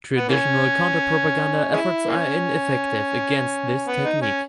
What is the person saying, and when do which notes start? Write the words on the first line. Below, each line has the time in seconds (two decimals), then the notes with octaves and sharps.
Traditional counterpropaganda efforts are ineffective against this technique.
0.17 B3
0.29 E3 A#3 C#4
1.73 G#3 C#4 E4
2.08 E3 A#3 C#4
3.87 B3
4.04 D#4
4.22 C#4